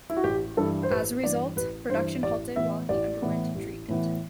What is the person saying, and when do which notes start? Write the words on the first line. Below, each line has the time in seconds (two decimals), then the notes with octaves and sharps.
As a result, production halted while he underwent treatment.
0.10 E4
0.17 F#4
0.24 A1 G4
0.57 G2 E3 A4
0.83 C5
0.90 A1 B4
1.23 G2 E3 D5
1.56 A1 B4
1.90 G2 E3 C5
2.23 A1 D5
2.56 A2 E3 B3 E5
2.89 A1 D5
3.22 A2 E3 B3
3.56 A1
3.88 A2 E3 B3